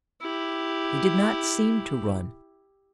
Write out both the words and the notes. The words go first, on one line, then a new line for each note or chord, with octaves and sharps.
He did not seem to run.
E4 G4